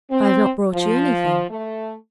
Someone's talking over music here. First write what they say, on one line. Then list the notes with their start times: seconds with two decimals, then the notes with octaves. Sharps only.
'I've not brought you anything.
0.11 C4
0.74 F3
1.50 A3